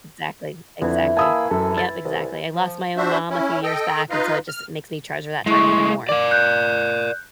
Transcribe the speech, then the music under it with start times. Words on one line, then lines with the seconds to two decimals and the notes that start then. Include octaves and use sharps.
Exactly, exactly. Yep, exactly. I lost my own mom a few years back, and so it just makes me treasure that time even more.
0.82 F2 D3 E3
1.17 A#3 G#5 A5 B5 D#6 E6
1.51 F#2 A4
1.78 A6
2.05 C2
2.52 F3
2.97 D4 F#4 C5 E5
3.30 C#4 E4
3.63 A4 D#5 G5
4.10 D#4 F4 B4 D#5 F5
4.48 F6
5.46 G#3 A3 E4 C#6
6.09 A#4 D5 D6
6.31 F#6 G6